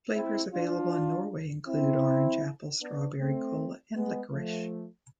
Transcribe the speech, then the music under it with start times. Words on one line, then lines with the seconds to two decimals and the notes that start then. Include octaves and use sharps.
Flavors available in Norway include orange, apple, strawberry, cola and licorice.
0.15 C4 E4
0.53 D4 F4
1.67 C4 E4
2.81 B3 D4
3.18 A3 C4
3.95 G#3 B3
4.32 F3 A3